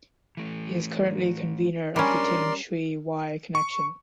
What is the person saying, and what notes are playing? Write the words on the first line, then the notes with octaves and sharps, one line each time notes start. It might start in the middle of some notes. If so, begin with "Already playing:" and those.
He is currently convenor of the Tin Shui Wai Connection.
E3 A3
F#3 G3 C#4 D4 A#4 D5 G#5 C6
C#6